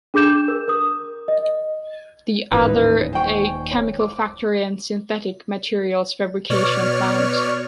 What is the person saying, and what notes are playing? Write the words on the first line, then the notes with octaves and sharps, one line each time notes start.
The other a chemical factory and synthetic materials fabrication plant.
D4 G#4 D6 G6 E7
A#4
A#4 D#6
D#5
D#1 A1 D#4 E4 B4
C5 G5 G#5 C#6
C#5
D6
B2 C#5 D5 C#6 F6